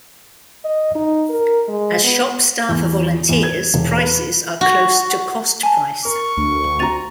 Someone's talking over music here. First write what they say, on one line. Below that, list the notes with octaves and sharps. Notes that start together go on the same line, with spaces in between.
As shop staff are volunteers prices are close to cost price.
D#5
D#4
A#4
G#3
B3
E2
E2
G#6
E1
B4
F#4
G#5 A5
A#4 C#6
D2
C4 F#4 A#5 A6 D#7 F7